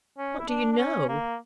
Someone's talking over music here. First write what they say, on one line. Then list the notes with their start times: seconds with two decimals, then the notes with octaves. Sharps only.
What do you know?'
0.18 C#4
0.39 E4
0.48 D4
0.72 D4
0.78 C#4
1.08 A#3